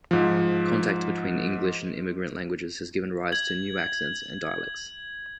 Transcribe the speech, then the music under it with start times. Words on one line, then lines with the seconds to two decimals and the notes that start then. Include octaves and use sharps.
Contact between English and immigrant languages has given rise to new accents and dialects.
0.11 G#2 F3
3.32 G#6 F#7